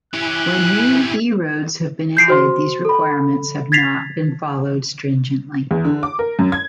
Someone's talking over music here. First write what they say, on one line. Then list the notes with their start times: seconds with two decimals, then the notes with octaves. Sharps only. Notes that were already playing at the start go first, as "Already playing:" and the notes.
When new E-roads have been added these requirements have not been followed stringently.
0.14 C#4 E4 G4 G#5 F#6
2.17 G6 C7 D7
2.28 F#4 C5 C6
2.85 A4 B5
3.72 G#6 A6 B6 C7 F7
5.71 E2
5.85 D3
6.03 D6
6.19 A#4
6.39 F#2
6.52 G#6